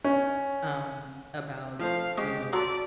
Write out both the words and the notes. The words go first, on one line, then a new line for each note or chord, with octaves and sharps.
Um, about, you know,
C#4
F3 A3 C5 F5
G#3 G4 D#5 C#6
F#4 A4 C#5 D5 A5 A#5 C6